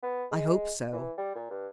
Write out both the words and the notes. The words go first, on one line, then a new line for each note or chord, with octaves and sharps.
"I hope so."
B3
G#3
E3
G3
A#2
G2